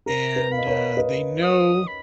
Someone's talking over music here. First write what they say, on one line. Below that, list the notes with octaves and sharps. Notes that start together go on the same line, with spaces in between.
and, uh, they know
A#4 A#5
B4
F5 B5
D#5
A#4 C#5
B4 D#5
D#6
B5